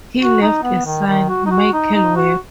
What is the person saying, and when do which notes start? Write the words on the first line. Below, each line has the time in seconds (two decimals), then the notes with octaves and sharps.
He left a son, Michael Webb.
0.20 F#4
0.42 D#4
0.63 B3
0.85 D#3
1.07 D#3
1.29 F#4
1.46 D#4
1.50 F#4
1.73 D#4
1.94 D#4
2.16 F#4